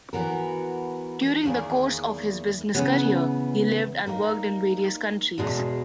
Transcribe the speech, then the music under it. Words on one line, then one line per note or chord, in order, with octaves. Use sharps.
During the course of his business career he lived and worked in various countries.
E3 B3 F#4 A#4
E2 D#3 A#3 E4 G#4
C#3 E3 B3
A#2 A#3 D#4 A#4
E2 B2 G#3